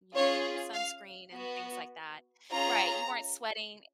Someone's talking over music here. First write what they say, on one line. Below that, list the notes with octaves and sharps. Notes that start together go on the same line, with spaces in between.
you know, needed sunscreen and things like that. Right, you weren't sweating
C#4 F4 G#4 C#5
F5
B3 F#4
C#4 F4 G#4 A#5